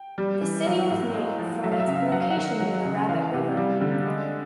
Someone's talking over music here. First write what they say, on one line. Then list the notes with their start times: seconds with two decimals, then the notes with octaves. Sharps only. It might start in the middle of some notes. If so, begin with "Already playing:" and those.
The city was named from its location near the Rabbit River.
Already playing: G5
0.18 G3
0.41 E3
0.66 F#3 F5
0.91 A2
1.15 G#3
1.39 F3
1.63 F#3 E5
1.72 F5
1.80 E5
1.88 C#3
1.95 F5
2.12 F#3 F#5
2.21 F5
2.30 F#5
2.37 D#3
2.60 F#3
2.85 C#3
3.09 E3 F5
3.33 C3
3.57 G3
3.81 D3
4.06 G#3